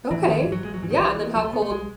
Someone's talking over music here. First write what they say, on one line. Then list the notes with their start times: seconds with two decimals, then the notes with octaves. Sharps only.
Okay. Yeah. And then how cold
0.11 A2 E3
0.29 A1 D#3
0.40 E3
0.46 G#2
0.52 F#3
0.64 A1 G#3
0.74 F#3
0.82 G#2 E3
0.91 D#3
1.00 B1 E3
1.18 B2
1.35 C#2 F#3
1.44 A3
1.53 B2 B3
1.62 A3
1.71 B1 G#3